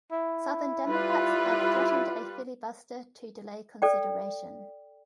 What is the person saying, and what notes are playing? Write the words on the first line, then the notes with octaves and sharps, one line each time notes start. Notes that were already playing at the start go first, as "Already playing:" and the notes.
Southern Democrats had threatened a filibuster to delay consideration.
E4
G3 F4 B4
A4 D5 G5